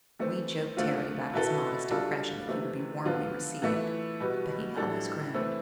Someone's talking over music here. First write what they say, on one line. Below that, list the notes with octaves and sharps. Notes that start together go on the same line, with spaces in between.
We joked Terry about his modest impression that he would be warmly received, but he held his ground.
E3 A3 C4
D3 A3 C4 F4
B2 B3 E4 A4
G3 D4 F4 A4
C3 E3 A3 C4
D3 F3 B3 F4
E3 A3 E4
B2 G3 B3
A2 G3 D4 A4
E3 A3 C4 E4